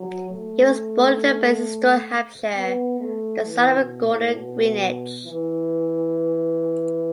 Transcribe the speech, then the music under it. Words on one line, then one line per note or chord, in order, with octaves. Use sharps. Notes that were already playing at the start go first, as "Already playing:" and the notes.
He was born in Basingstoke, Hampshire, the son of Gordon Greenidge.
Already playing: F#3
A3
B3
A3
E3
B2
A2
B2
E3